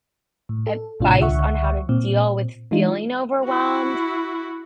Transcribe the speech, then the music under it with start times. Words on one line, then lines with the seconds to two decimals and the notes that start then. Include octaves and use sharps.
advice on how to deal with feeling overwhelmed
0.49 A2
0.67 A4
1.00 A#1 A2 C3 D4 F4
1.20 C#2 D3 E5 F#5 C#6
1.89 A#2 C4
2.71 E3 G#3 D4 D#4 F4
3.45 E4 F#4